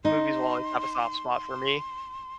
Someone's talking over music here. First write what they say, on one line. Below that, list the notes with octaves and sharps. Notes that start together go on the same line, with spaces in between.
the movies will always have a soft spot for me.
D#4 C6